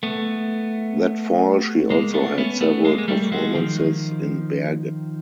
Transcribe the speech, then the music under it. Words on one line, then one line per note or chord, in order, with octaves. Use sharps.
That fall she also had several performances in Bergen.
A3 B3
G#3 A#3
A3 B3
B3 C#4
A3 B3
G#3 A#3
G#3
G3 A3
A3
F#3 G#3
D#3 F3